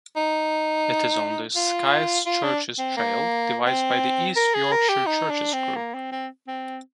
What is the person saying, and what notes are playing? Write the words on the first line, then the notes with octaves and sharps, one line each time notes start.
It is on the Sykes Churches Trail devised by the East Yorkshire Churches Group.
D#4
F4
F4
D4
C4
A#3
C4
A#4
G#4
A#4
G4
D#4
D4
C4
A#3
C4
C4
C4